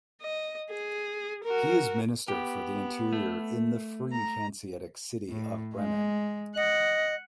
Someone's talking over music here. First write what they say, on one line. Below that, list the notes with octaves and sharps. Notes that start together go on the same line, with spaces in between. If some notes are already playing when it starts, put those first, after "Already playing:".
He is Minister for the interior in the Free Hanseatic City of Bremen.
D#5
G#4
F#4 A#4
B3 G4
A3
A#5
A2
G#3
D#5 F#5